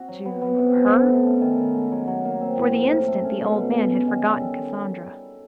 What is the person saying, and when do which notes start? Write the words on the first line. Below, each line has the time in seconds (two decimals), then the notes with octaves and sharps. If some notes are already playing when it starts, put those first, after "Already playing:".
"To--her?" For the instant the old man had forgotten Cassandra.
Already playing: C4 F#4
0.08 F#3
0.25 B3
0.42 B3
0.58 C3
0.75 F3
0.92 A4
1.08 A3
1.25 C#4
1.41 D#3
1.58 D#3
1.75 G#3
1.92 F#3
2.07 F#3
2.25 A#3
2.41 C4
2.58 A2
2.74 F3
2.91 A#4
3.08 A3
3.24 C#4
3.41 B2
3.57 B2
3.75 G#3
3.91 C#4
4.08 D#3
4.24 G3
4.40 A4